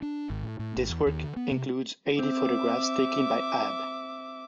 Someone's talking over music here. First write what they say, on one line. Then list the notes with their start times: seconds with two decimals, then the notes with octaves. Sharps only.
This work includes eighty photographs taken by Abbe.
0.02 D4
0.30 G#1
0.43 A2
0.59 A2
0.76 G#1
0.90 E2
1.06 D#2
1.24 D3
1.36 B3
1.51 C3
2.19 C4 E5 D6